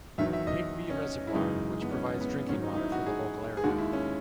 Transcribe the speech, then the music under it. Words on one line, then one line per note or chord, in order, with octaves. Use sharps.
Higby Reservoir, which provides drinking water for the local area.
E2 D#3 F#3 E5
E5
D#5
C#4
E4
F#2 C#3 E3 G#3 D#4
B3
C#4
B3
B3
G#2 D#3 F#3 C#4
D#4
D#4
E4
F#4
G#4
G#4
D#2 D#3 G#3 F#4
E4
C#4